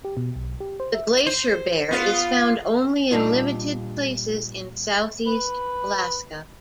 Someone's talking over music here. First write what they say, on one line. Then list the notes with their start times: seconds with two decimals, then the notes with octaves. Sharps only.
The glacier bear is found only in limited places in Southeast Alaska.
0.05 G4
0.17 B2
0.36 B1
0.60 G4
0.80 C5
0.94 E5
1.26 C5
1.91 B3 F4
3.11 A#2 G3 D4 D#4 F4
5.27 B4